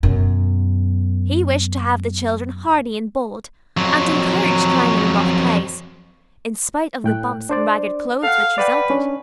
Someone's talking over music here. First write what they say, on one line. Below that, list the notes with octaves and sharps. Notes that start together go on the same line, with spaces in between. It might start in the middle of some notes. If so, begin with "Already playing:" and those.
He wished to have the children hardy and bold, and encouraged climbing and rough plays, in spite of the bumps and ragged clothes which resulted.
F#2 B2
F2 F#3
A2 G5 F#6
D4 C5 D5
A4 F5 F#5
B4 D5 F#5 G5
C#4 D4